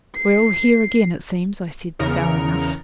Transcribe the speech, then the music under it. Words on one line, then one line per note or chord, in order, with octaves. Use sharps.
'We're all here again, it seems,' I said, sour enough.
C7
E2 C#3 A#4 F6 C#7